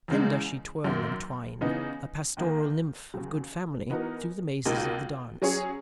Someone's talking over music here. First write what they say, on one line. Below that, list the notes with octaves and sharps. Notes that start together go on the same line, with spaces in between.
Then does she twirl and twine, a pastoral nymph of good family, through the mazes of the dance.
E2 C#3 G#3
F#2 D#3 A#3
C#3 E3 B3 D#4
D#2 D#3 A#3
D#2 C#3 F#3
E3 B3 D#4 F#4 A#4
C#2 B2 A#3 D#4
F#3 C#4 G#4 C#5